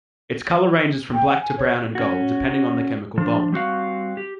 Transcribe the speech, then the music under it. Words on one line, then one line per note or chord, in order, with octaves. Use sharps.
Its color ranges from black to brown and gold, depending on the chemical bond.
G5
F#5
G#5
C#5
C#4 F#4
F3 D4
G3 C4 F#4 F5
G4